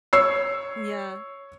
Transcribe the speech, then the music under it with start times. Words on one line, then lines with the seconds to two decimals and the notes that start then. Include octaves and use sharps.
Mm, yeah.
0.13 C#5 E6 C7